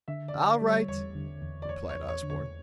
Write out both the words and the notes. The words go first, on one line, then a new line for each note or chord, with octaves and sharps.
"All right," replied Osborne.
D3 E5
D5
D3
D5
G3
C#5
E2 C#5
D3
E2
D5
E2 C#5
C#5
E2
C#5
D3
C#5